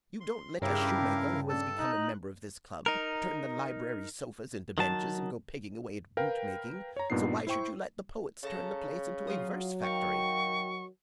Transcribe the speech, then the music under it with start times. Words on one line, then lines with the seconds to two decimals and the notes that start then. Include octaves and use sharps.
You don't let a shoemaker who has become a member of this club turn the library sofas into benches and go pegging away at boot-making, so why should you let the poets turn the place into a verse factory?
0.20 C6
0.62 G2 C#3 E4 G4 A#4 F5
1.49 D4 A4 A5
1.78 D#4 F#6
2.86 D#4 A#4
4.78 D#3 F#3 A5
6.17 A#4 B4 F5 G5
6.96 C#5 A#5
7.10 G2 A#2 B3 D#4 C7
7.47 E4 C5 G5 C#6
8.43 C#3 A4 A5 A#5
9.27 F#3 F4 D#6
9.82 D#3 F5 G5 C#6